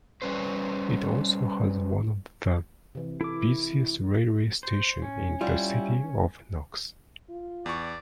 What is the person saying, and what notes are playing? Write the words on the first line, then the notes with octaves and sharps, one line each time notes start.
It also has one of the busiest railway stations in the City of Knox.
G3 C#4 B4 C5
C3 E3
E4 A4 D6
C5
C#4
G3 E4 F4
F4
E2 D5 C#6